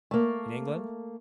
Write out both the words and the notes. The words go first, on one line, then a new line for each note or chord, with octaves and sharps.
"In England?"
A3 A#3